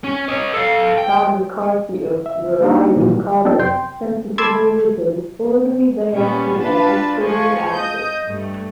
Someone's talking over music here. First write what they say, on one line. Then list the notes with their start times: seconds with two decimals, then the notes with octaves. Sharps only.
Todd McCarthy of "Variety" called it "sensitively written, fluidly directed and expertly acted".
0.04 C#4
0.28 C#5 D#5
0.53 A4 F5
0.98 G5
2.26 E5
2.61 G3 A#3 D4 D#4
2.96 A#2 D#3 E3 F#3 G3
3.45 B3 D4 D#4 G4 A4
3.59 F#2 C3 G5 C6
4.38 A5 B5 C6 D6 E6 G#6
6.12 A#2 G3 B3 C#4
6.58 D4 F4 B4 A5
7.20 F3 G#3 A3 G#5 C#6
7.74 D#5 D#6 G6
8.26 G2 A3